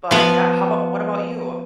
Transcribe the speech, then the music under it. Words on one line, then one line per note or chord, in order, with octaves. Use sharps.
But yeah. How about What about you?
F3 B3